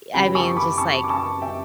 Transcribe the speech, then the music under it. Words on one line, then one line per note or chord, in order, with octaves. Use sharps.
I mean, just like,
F#1 F#2 E3 G3 G5 B5
A5 C#6
B5 D6
A5 C#6
D6
A5 C#6
E5 G5